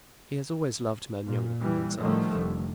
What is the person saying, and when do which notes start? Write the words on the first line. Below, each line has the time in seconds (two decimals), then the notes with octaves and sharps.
He has always loved men younger than himself.
1.27 A#2
1.60 E3 G3
1.98 A2 D3 D#3 F3 G3 A3
2.37 F1